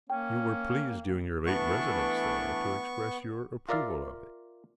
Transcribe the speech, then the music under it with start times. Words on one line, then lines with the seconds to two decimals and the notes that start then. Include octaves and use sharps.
You were pleased, during your late residence there, to express your approval of it.
0.10 A#3 C#4 G5
1.46 E3 A3 B3 D4 C#6
3.69 F4 A#4 D5 E5 F5